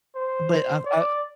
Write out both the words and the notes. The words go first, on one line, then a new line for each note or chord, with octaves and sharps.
But I've I
C5
D5